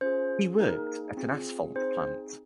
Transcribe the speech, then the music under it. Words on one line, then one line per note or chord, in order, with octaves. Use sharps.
He worked at an asphalt plant.
C#4 F4 G#4 C5
A#3 D#4 G#4 A#4
C4 F4 G#4
C4 D#4 G#4 C5